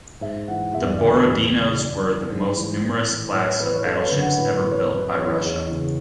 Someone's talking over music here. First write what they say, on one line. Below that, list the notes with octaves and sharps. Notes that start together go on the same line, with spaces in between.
The "Borodino"s were the most numerous class of battleships ever built by Russia.
G#2 E5
E3 F#5
E2 E5
D5
D3 E5
E2
C#3 E3
F#2 D5
E3
G#2
E3
A2
E3
A2 C#5
C#5
E3 B4
C#5
F#2 A4
C#5
B4
D3
F#5
A2 B4
B4
E3
C#5
F#2 B4
E3 C#5
B4
E2 C#5
C#3 E3